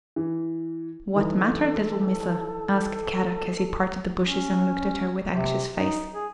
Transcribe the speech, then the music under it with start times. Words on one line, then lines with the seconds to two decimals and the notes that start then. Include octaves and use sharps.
"What matter, little Missa?" asked Kadok as he parted the bushes and looked at her with anxious face.
0.16 E3
1.14 E3 D#4 A4
4.21 C#4
5.32 C3
5.76 D#4
6.14 G#4